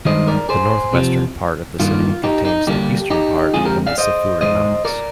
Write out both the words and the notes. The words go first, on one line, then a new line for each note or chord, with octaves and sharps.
The northwestern part of the city contains the eastern part of the Sefuri Mountains.
G2 D#3 G#3 D#4 C5 D#5
A#4 D5
G#4 C5
C3 F3 C4
G2 D#3 A#3 F4
D#4 G4
D#4
D3 G3 A#3 D4 D#4 G4
D#4 G4
F2 D3 G#3 C4 F4 G#4
G4 A#4
D5 F5
C5 D#5
G#2 F3 G#3 C5 D#5
A#4 D5